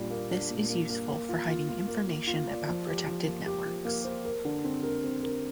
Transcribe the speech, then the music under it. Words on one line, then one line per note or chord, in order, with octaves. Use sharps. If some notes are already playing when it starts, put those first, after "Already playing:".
This is useful for hiding information about protected networks.
Already playing: A#2 G3 D4
A#3
D4
A#2
A#3
A#3
A#3
F4
F4
F4
A#3
A#3
F4
D5
F3
G4
F3
A#3
G4
F3
A#3
C5
A#4
D3
C4
A#4
C4
A#4